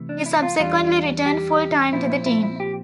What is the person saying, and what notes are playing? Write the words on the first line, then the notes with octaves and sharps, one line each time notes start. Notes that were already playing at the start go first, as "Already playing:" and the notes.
He subsequently returned full-time to the team.
Already playing: C2 C3 E3 A3
D4
E4
F4
E2 E3 G3 D4 F4
G4
A#2 F3 C4 E4
E4
E4
E4
G4